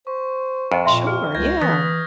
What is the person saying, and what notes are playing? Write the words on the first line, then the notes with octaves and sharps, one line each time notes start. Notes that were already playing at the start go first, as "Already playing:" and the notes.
Sure, yeah.
C5 C#6
F2 C5 D#5
A#2 E5 C6
G#4 F6
C#2 D#5 G6 G#6 A#6
E3 B3 D#6 A#6 B6